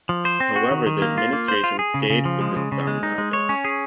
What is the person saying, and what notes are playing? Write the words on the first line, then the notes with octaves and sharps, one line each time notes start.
However the administration stayed with the Stammlager.
F3
C5
C4
F#4
D#3
D#3
A#3
F4
A#3
C5
F4
G#4
C#3
C#3
F3
G#3
C#3
C#3
G#3
D#4
G#3
C#5
C#4
G#4